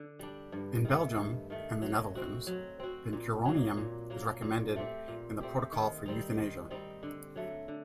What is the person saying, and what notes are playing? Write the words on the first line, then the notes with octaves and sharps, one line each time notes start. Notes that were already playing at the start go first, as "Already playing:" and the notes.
In Belgium and the Netherlands, pancuronium is recommended in the protocol for euthanasia.
Already playing: D3
G3 D4
G2
D#3 A3
G2
D#3 A3
F#3
C4 F#4
F#3
C4 F#4
A#2
F#3 A#3
A#2
F#3 A#3
A#2
A3 C4 G4
A#2
A3 C4 G4
D#3
G3 C4 D#4
D#3
G3 C4 D#4
D3
F#3 A3
D3